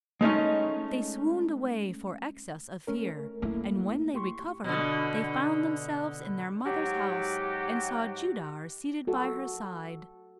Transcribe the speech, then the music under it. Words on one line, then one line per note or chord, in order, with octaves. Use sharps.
They swooned away for excess of fear, and when they recovered, they found themselves in their mother's house and saw Judar seated by her side.
G#3 A3 C#4 D#4
A3 C#4 A#4
A3 A#3 E4
G4 C6 C#6
B2 D3
G#2 F#3 G4
F#4 A4